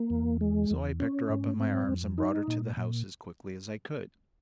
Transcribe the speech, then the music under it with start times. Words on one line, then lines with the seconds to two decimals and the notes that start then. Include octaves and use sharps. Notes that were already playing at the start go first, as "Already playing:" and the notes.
So I picked her up in my arms and brought her to the house as quickly as I could.
Already playing: A#3
0.10 E2
0.41 G#3
0.71 E2
1.00 C#4
1.30 G#2
1.59 C4
1.88 F2
2.18 D#4
2.47 A#2
2.77 A#2